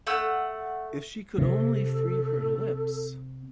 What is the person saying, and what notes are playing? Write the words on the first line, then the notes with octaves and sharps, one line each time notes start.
If she could only free her lips!
A3 F#5 E6
C3 A4